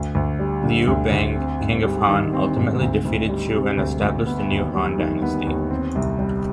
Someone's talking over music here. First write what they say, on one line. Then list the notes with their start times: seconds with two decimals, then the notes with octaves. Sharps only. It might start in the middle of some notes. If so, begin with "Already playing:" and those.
Liu Bang, king of Han, ultimately defeated Chu and established the new Han dynasty.
Already playing: D2
0.15 D2
0.39 G3
0.64 D3
0.88 D2
1.12 D2
1.36 C4
1.60 G#2
1.84 G3
2.09 D#3
2.33 C4
2.57 G#2
2.81 D2
3.05 D2
3.29 G3
3.54 C3
3.77 D2
4.01 D2
4.26 B3
4.50 D#2
4.74 G3
4.98 D#3
5.22 B3
5.47 D#2
5.71 C4
5.95 C2
6.19 G3